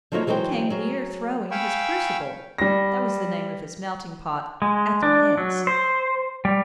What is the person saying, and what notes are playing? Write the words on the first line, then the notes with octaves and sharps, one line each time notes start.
He came near throwing his crucible--that was the name of his melting-pot--at their heads.
F3 F#3 A3 A#3 D#4 C#5
E3 F#3 G#3 C5 G5
F#3 G#4 A#4
F5 G5 G#5 B5 C#6 E6
G3 A#6
G#3
D4
F#3
C5
G3